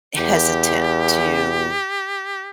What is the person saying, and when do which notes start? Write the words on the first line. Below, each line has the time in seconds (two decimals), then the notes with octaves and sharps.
eh hesitant to,
0.17 E2 G4